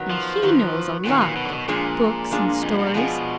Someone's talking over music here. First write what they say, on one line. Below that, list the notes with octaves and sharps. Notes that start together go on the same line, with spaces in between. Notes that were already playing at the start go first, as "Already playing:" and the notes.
And he knows a lot--books and stories!
Already playing: D#3 F#3 B3
F3
D#3 F#3 B3
A#2 D#3 F#3 B3
A#2
B2
D3
B2
A#2 F3 G#3 D4 F4 G#4
F3 G#3 D4 F4 G#4
F2
F#2
G#2
A#2
B2 F3 G#3 D4 F4 G#4